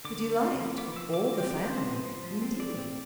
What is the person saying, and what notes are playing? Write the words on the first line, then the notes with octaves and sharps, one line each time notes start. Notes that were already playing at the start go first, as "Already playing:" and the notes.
The delight of all the family, indeed!
D3 D6
A3
C4
F3
B3 D6
F3 E6
D3 D6
D6
C4 G5
D3 D5
C5
C4
C5
B3
F3
F3
C4
E3 D5
C4